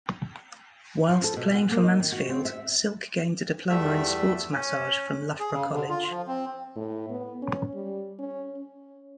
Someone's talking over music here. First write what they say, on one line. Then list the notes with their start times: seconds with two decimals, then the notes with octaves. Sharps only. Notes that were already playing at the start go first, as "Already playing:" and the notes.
Whilst playing for Mansfield, Silk gained a diploma in sports massage from Loughborough College.
1.09 F3
1.24 A4
1.36 B2
1.55 F#5
1.71 A#3
1.83 D#4
2.00 D#3
2.12 F#4
2.29 C4
2.45 E5
3.70 E2 G3 A3 E5
4.53 C#4
5.40 G#4
5.53 C#3
5.72 D3
5.89 F4
6.10 F3
6.28 C4
6.76 A2
7.10 B3
7.42 C#4
7.74 G3
8.19 C#4
8.57 C#4